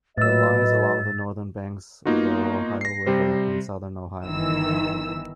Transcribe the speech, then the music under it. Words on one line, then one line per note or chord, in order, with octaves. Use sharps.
It lies along the northern banks of the Ohio River in southern Ohio.
A2 F#3 B4 D#5 E6 A6
A#3 B3 D#4 F4 F#4
A#6 C7
C3 G3 C5
G1 D#3 E3 E6